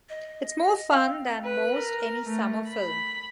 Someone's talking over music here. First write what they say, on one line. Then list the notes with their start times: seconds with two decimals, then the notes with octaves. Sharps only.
It's more fun than most any summer film.
0.09 D#5
0.92 C4 F5
1.44 B4
1.75 A#4
2.25 A3
2.68 B5